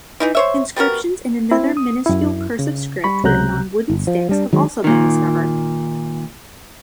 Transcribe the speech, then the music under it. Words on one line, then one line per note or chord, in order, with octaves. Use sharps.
Inscriptions in another minuscule cursive script written on wooden sticks have also been discovered.
E3 D#4 E4
C5 C#5 E5
G3 B3 F#4 A#4
C4 E4
D#6
F#2 E4
C#3
G3 B5 C#6
C#2 C3 F#3 A#5 F#6 G6
G1
F3
G3 D4
D#3 F#3 G#3
A#2 D#3